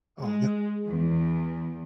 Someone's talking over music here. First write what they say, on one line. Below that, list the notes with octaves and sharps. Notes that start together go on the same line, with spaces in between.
Oh, th
G#3
E2